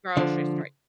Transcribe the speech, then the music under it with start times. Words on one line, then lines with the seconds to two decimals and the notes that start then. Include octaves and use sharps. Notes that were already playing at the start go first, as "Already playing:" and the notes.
grocery store
0.17 D3 F3